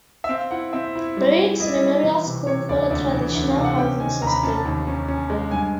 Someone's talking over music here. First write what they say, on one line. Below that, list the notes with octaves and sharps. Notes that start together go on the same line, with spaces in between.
Breeks Memorial School follow traditional housing system.
E5
C4 F5
E4 F#5
C4 E5
E4
G3
E4
E4 D#5
D5
D#5
G3
E3
C3
C3 C#5
D2 D5
D2 D5
E3
D2
F5
C3
F#5
C#4 G5
D#3 G#5
D#2 A#5
B5
A#5
C#4 A5
A5
D#2
C#4
C#4
G#3
G2 G#5